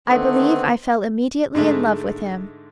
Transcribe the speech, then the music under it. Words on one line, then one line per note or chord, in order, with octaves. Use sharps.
I believe I fell immediately in love with him.
D3 D#3 A3 B3 C4
G#2 D3 G#3 A3